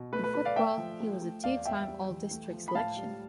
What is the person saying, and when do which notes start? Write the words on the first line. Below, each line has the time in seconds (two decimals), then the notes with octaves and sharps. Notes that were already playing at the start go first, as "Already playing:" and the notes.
In football, he was a two-time All-District selection.
Already playing: B2
0.13 A3 B4
0.24 B4
0.34 A3 B4
0.45 D5 F5
0.56 A3 E5 G5
0.78 F3
1.00 A3
1.22 A3
1.44 E2 D5 F5
1.65 E2 E5 G5
1.88 G3
2.09 E3
2.31 A3
2.53 F3
2.68 B5
2.75 A2 F5 A5
2.97 G3